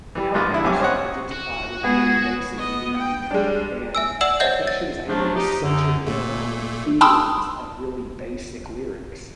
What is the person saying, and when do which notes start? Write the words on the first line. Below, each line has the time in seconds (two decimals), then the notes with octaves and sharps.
help a person identify with a very basic need, and I think she was able to center in on the feelings of really basic lyrics.
0.15 E3 G3
0.34 A#1 G#2 F4 B4
0.50 D3 G#3 E4
0.64 C2 F#2 G3 C#4 G#5 D6
0.80 C5 C#5 D#5 F#5
1.31 F#4
1.84 G#3 B3 G#4
2.57 B3 D#5
2.98 G5
3.31 G3 G#3 D4
3.95 E5 G#5 E6
4.21 D5 F#5 E6 E7 F#7
4.40 C5 C#5 D#5 E5 F#5 G6
4.67 A6
5.08 F3 F#3 A3 D4
5.36 D#4 G4
5.61 F#2 D3
6.07 A#2 A3
7.01 G5 A5 B5 C6 D#6 E6